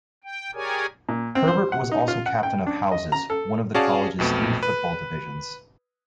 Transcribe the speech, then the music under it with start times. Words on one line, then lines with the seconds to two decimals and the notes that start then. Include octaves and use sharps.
Herbert was also Captain of Houses, one of the College's three football divisions.
0.24 G5
0.54 G4 G#4 A#4 C#5 D5 G#5
1.09 A#2
1.35 C4
1.48 C5
1.72 F#5
1.92 D#4
2.08 F4
2.26 F#5
2.43 G5
2.67 D4
2.92 D#5
3.12 A#5
3.30 A4
3.74 C#4 F#4 G#4 D5 F5 A5
4.19 B1 F2 B2 A3
4.63 B4